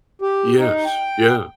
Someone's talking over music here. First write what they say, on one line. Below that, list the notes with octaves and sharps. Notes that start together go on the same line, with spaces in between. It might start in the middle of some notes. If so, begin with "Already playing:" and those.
Yes. Yeah.
G4
D#4
G5